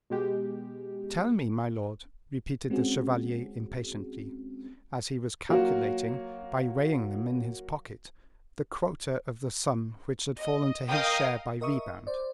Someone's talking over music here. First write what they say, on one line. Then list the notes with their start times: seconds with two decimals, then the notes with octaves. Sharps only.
"Tell me, my lord," repeated the chevalier impatiently, as he was calculating, by weighing them in his pocket, the quota of the sum which had fallen to his share by rebound.
0.10 B2 G#3 G4
2.70 G#3 C4 C#4 F#4 G#4
5.49 F#3 A#3 F4 F#4
10.38 D#5
10.88 A#4 D#5 F5 G5 D#6
11.61 A#4 D#5 E5 C#6 D#6
12.07 C5 D5